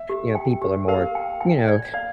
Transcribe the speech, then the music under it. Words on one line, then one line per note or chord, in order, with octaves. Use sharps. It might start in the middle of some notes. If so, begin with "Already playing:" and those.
You know, people are more, you know?
Already playing: E5
G4
G5
G4
A#4 F5
G5
G5
D5
D5 F5